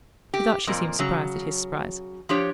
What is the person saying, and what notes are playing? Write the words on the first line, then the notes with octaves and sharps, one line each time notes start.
He thought she seemed surprised at his surprise.
G4
F2 A#2 A#3
C#3 F#3
F3 D4 G4 C#5